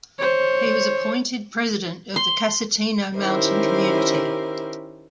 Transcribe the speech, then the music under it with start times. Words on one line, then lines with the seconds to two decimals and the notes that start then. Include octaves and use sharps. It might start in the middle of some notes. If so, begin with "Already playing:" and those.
He was appointed president of the Casentino mountain community.
0.19 C5 C#5
2.16 C6
3.17 D#3 C#4 E4 G4 A#4 C5